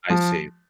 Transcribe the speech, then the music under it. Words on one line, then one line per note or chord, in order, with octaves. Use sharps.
I see.
F3